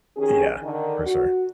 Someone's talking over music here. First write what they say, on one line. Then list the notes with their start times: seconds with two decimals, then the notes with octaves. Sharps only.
Yeah. For sure.
0.17 D#3 C#4 G4 G#4
0.63 D3 D#3
1.06 F#4